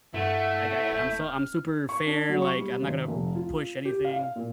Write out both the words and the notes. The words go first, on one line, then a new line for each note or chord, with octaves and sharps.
Like, I I I'm so I'm super fair, like, I'm not gonna push anything.
G2 A3 E4 F#5
D1 G6
F6
C#6
D4
F#3
C#6
G3
G#1
F1
F4
G4
F5
F5
A#2